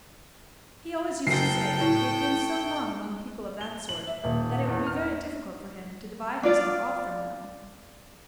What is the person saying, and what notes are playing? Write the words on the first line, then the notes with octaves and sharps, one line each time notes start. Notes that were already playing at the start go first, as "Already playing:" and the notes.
He always used to say that he had been so long among people of that sort, that it would be very difficult for him to divide himself off from them.
F#1 A4 G5 C7
A2
G7
F#7
E5
D#1
E2
F6
D4 F4 D5